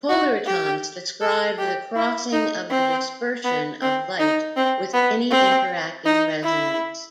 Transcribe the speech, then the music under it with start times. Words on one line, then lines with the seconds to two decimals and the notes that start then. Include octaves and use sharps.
Polaritons describe the crossing of the dispersion of light with any interacting resonance.
0.09 F#4
0.46 G4
1.21 A4
1.58 G4
1.96 E4
2.33 D#4
2.70 C4
3.44 B3
3.82 C4
4.19 D#4
4.56 C4
4.94 B3
5.31 C4
6.06 D#4
6.43 E4